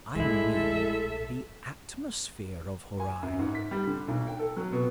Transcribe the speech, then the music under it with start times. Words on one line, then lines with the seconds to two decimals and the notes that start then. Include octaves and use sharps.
I mean the atmosphere of Horai.
0.15 A#1 A2 G#3 E4 A4 E5
3.00 G#5
3.23 F#2
3.39 G#2
3.55 B6
3.71 G3
3.87 D3
4.08 B1
4.27 G5
4.39 A4
4.57 F#3
4.72 B2